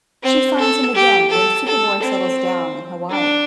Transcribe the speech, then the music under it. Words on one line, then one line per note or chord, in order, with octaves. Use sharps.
She finds him again when Superboy settles down in Hawaii.
C4
A4
G4
A4
A4
C4
D4